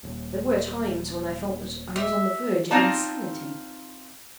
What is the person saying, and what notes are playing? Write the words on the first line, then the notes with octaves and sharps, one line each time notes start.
There were times when I felt that I was on the verge of insanity.
D#1
E5
C4 D#4 F4 D5 A5